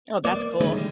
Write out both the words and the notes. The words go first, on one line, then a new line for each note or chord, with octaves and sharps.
Oh, that's cool.
A#3 D5
D#3 A3 D#4 E4 G#4 C#5
D3 G3 G#3